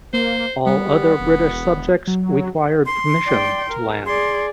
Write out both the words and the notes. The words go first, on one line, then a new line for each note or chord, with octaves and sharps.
All other British subjects required permission to land.
A#3 C5
G3 B3
E1
F#3
C6
D5 G5
A#4
G#4 D5 C6